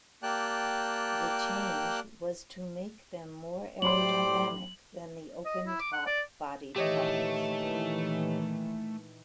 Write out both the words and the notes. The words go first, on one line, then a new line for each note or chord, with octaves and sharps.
The change was to make them more aerodynamic than the open top bodied cars.
A#3 G4 D5 G5 A5 F#6
A2 F#3 G4 C5 D5 B5 C6 F#7
D#5
E4
D6
F#5
D5
A#2 D#3 E3 A3 G4 C#5 D#5